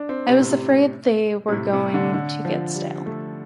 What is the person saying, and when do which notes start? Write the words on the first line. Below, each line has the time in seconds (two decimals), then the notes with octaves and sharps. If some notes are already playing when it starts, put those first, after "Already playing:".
I was afraid they were going to get stale.
Already playing: D4
0.09 C4
0.28 C3
0.39 A2
0.51 C3
1.48 C3
1.52 A2
1.73 C3
1.94 D3
2.14 D3
2.45 F3
2.75 G3
3.06 A3